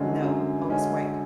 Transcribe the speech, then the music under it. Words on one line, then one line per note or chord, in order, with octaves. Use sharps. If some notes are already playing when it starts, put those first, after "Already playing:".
No, always white.
Already playing: F#2 D3 G#3 C#4
F#2
D3 G#3 C#4